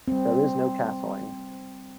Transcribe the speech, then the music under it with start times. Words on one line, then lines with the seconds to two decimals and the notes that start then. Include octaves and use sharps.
There is no castling.
0.08 G3 C4